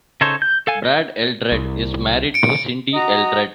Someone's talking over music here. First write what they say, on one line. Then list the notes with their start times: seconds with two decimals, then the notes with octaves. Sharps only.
Brad Eldred is married to Cindy Eldred.
0.21 C#3 D#4 A4 C5 C#5
0.42 G6
0.67 A4 F5 G#5
0.84 D#5
1.52 C2
2.34 C#7 D7
2.93 F#4 D#5 F#5 A#5